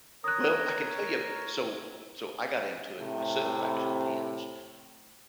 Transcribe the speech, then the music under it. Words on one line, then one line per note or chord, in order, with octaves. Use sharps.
Well, I can tell you. So so I got into it myself, actually, pins,
A#4 C#5 A#5 D#6 F#6
A2 C3